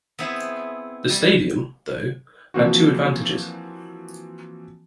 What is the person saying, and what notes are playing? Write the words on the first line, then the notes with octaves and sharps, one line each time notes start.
The stadium, though, had two advantages.
B3 C4 E4 G#4
G3
E3 F3 A#3 C4 F4 F#4